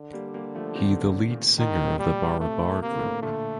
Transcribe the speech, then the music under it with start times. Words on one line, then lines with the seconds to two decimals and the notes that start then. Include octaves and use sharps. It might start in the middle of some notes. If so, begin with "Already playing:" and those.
He the lead singer of the barabar group.
Already playing: D3
0.13 G3 A#3
0.34 G3 A#3
0.55 F3 A3
0.75 C3 D#3
1.04 A2 C3
1.31 A#2
1.58 A#2 D#3
1.79 A2 C3
1.99 A#2 G3
2.20 A#2
2.40 A2 C3 A3
2.82 C3 A#3
2.91 D3
2.99 A2 C3
3.23 A#2 D3 A3